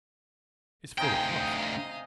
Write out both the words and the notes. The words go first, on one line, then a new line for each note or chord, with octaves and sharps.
It's full 'a coffee.
D2 C3 D#4 G#4 D#5 F5 G5